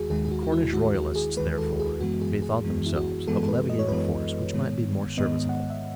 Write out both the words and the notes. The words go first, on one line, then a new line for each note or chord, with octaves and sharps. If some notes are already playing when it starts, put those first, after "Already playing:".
The Cornish royalists, therefore, bethought themselves of levying a force which might be more serviceable.
Already playing: D#2 D#3 G#3 F#4 G#4
D#2 D#3 G#3 G#4
G#4
F#4
F#4
E4
D#2 D#3 G#3 F#4
F#4
G#4
D#2 D#3 G#3 B4
A4
G#4
F#2 E3 G#3 B3 F#4
G#4
G#4
F#2 E3 G#3 B3
E4
F#4
F#2 E3 G#3 B3 A4
A4
B4
D#5
C#5
F#2 E3 G#3 B3 B4
C#5
G#2 D#3 G#3 B3
G#2 D#3 G#3 B3 D#5
F#5
E5